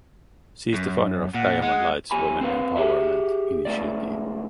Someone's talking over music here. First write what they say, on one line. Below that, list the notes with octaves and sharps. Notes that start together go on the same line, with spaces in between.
She is the founder of Diamond Lights Women Empowerment Initiative.
F#2
A#2 F#5
G#3 F#5
F2 G4 G#5 B5
C4 B4 F5
G4 G#4 E5
C#2 A2 D5